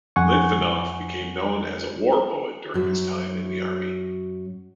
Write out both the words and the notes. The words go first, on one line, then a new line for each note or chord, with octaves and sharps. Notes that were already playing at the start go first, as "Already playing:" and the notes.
Litvinoff became known as a war poet during his time in the Army.
F2 F#5 G#5 C#6
F#2 F#3